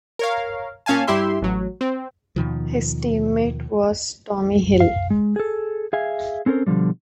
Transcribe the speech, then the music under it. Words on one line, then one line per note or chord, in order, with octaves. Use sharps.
His teammate was Tommy Hill.
A#4 C#5 F5
A#2 C#4 F5 G#5 A5
G2 E4 G4 E5 C6
A1 F#3
C4
D#2 B2 D#3 F3
F5
G#3
G#4 A4
G#4 E5 F5 G#5
C4 C#4 A4 A#4 C5
B2 D3 F3 G3